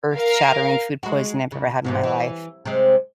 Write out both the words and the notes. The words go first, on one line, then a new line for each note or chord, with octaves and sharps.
earth shattering food poison I've ever had in my life.
A#4 F5
G#3 F#4
C#3
G#2 C3 E3
E3
C3 G#3